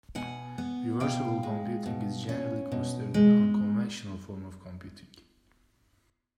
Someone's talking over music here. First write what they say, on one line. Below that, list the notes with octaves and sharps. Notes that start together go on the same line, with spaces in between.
Reversible computing is generally considered an unconventional form of computing.
B2 F#5 G#5
B3
B2 F5 G5
G#3
B2
C#4
B2
G#3